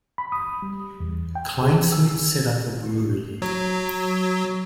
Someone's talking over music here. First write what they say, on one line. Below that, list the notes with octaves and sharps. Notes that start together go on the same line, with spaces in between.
Kleinschmidt set up a brewery.
B5
D#6
G3
E2
G5
G#4
E6
F#3